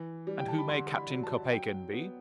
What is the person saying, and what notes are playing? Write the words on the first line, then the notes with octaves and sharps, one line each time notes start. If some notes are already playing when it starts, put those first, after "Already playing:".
"And who may Captain Kopeikin be?"
Already playing: E3
G3
G5
A5
B5
D3 C6
B5
F#3
A5
F#3 G5
B3